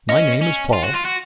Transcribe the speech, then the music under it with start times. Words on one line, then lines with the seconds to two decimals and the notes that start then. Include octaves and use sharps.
My name is Paul.
0.09 C#4 D#5
0.41 C#4
0.73 F4
0.84 F#4
0.94 F4
1.05 F#4